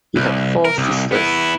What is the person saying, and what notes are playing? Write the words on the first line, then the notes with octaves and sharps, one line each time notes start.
He had four sisters.
C2
A#4
C2
B3 E4